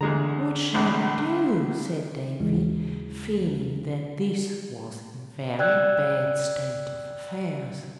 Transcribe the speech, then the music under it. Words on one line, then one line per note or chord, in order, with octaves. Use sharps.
"What shall we do?" said Davy, feeling that this was a very bad state of affairs.
E2 D3 G#3 A#5
A#1 E2 C4
D#2 C#3 E3 G#3
D5 G5 E6 F#6 G#6